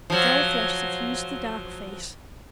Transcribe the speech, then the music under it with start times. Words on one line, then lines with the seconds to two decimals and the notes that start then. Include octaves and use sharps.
A dull flush suffused the dark face.
0.10 F3 F#3